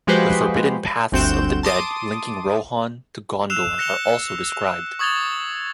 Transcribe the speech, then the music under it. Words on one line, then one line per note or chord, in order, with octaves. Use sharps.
The forbidden Paths of the Dead linking Rohan to Gondor are also described.
F3 G#3 F#4 G4 B4 C5
G1 D2 C4 F#4 G6 E7
A5 C6 D6 D#6
E6 F#6 C7 E7 F7
F#6 A#6 C#7 E7 F7 G7
C#6 D#6 G#6 A6 F7 G7